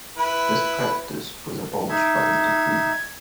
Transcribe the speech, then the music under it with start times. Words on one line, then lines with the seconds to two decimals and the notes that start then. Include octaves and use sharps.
This practice was abolished by the decree.
0.18 E4 B4
1.89 D#4 E5 G#6